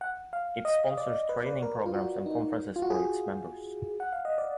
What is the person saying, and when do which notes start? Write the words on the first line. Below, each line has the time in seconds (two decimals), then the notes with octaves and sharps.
It sponsors training programs and conferences for its members.
0.01 F#5
0.33 F5
0.65 D#5
0.97 D5
1.29 B4
1.37 D5
1.46 B4
1.62 A#4
1.86 F4
1.94 F#4
2.26 D#4
2.76 F4
2.82 F#4
2.90 G#4
4.00 F#5
4.13 F5
4.25 D#5
4.38 D5